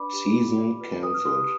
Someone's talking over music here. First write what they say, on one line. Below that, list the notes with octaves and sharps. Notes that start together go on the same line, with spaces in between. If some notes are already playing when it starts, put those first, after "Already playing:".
Season canceled.
Already playing: D4 B4 D5 B5 D6
G4
F4
D5
B4
B4 D#6
F6
G4 C6 D#6